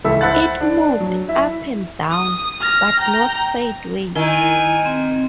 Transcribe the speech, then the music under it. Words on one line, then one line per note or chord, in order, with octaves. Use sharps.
It moved up and down, but not sideways.
C#2 E3 A4 E5
C5 E5 F#5 B5 F#6 A6
D4
F#3
E4 E5
D#6
F6 A#6
G5 A#5
D#3 E4 G#5
C4